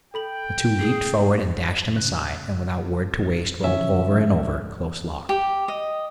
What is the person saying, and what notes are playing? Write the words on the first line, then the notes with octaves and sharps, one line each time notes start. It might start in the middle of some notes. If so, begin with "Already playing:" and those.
The two leaped forward and dashed him aside, and without word to waste rolled over and over close locked.
A4 G5 B5 F#7
G#4
F#2 C#3 F#6
A#2 D3 F3 C#4 E5
G4
D#5